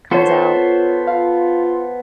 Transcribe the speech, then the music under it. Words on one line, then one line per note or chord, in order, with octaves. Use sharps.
comes out.
B3 F4 A4 C5 C#5
F4 F5